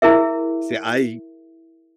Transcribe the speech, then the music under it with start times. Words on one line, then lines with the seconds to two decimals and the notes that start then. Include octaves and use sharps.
See I
0.02 E4 G#4 A#4 E5